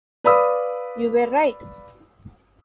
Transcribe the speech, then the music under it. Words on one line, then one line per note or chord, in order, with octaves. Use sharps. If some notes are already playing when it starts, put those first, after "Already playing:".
You were right!
B4 D5 F5 B5 D#6 E6